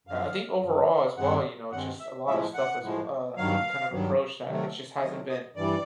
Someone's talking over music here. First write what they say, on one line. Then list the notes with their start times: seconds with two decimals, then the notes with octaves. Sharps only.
I I think overall, as well, you know, it's just a lotta stuff as w uh, that we, kind of approach that it just hasn't been
0.07 F#2 D3 F3 F5
0.62 F#2 D3 F3
1.17 G2 D#3 G#3 C4 F#5
1.72 G2 D#3 G#3 C4 F#5
2.00 E5
2.26 A2 F3 G#3 E5
2.54 F#5
2.81 A2 F3 G#3
3.36 G2 D#3 F#3 F5
3.91 G2 D#3 F#3
4.46 C3 D#3 F#3 A3
5.01 C3 D#3 F#3 A3 D#5
5.29 D#5
5.55 G2 E3 G3 D5